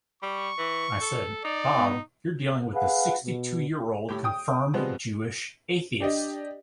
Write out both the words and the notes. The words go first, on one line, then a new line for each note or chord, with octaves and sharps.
I said, 'Bob, you're dealing with a sixty-two-year-old confirmed Jewish atheist.
G3 C#6
E3
A4
D#4 D5
B3
G#4 B4 F5 F#5
B2
A2 G4
G5 D#6
B2 F3 G3 G#3 B3 C4
D4 G4 D5 D#5